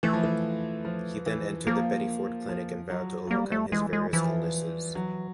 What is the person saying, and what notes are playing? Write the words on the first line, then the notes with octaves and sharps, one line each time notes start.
He then entered the Betty Ford Clinic and vowed to overcome his various illnesses.
E3 A3
F3
E3
F3
E3
F3 A#3
F3
F#3
F#3
G3 A#3
A3
E3 G#3
G#3
E3 F3
F#3